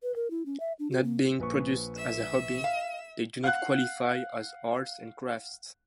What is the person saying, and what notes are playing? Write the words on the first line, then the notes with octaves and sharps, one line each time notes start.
Not being produced as a hobby, they do not qualify as arts and crafts.
B4
A#4
E4
C#4
E5
D4
F#4
A#3
A#1 B4 C#6
E5 E7
F5
F5 F#5 F#6